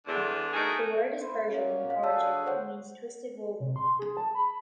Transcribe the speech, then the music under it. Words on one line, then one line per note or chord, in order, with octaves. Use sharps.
The word is Persian in origin and means "twisted woven".
E2 D3
A3 D#4 F#4 G#4 A#4
E4 C5
F#3 A#3 C#4
F5
D3 F#4 G#4 C#5 A5 E6
C5 C#5 F#5
C3
C6
G#4
A5
B5